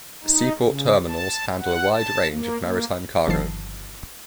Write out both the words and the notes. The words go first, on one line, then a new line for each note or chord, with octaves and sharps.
Seaport terminals handle a wide range of maritime cargo.
D#4
C#3
A5
F#5
A5
A#3
A#3
G1 D#3 F3 A5 C7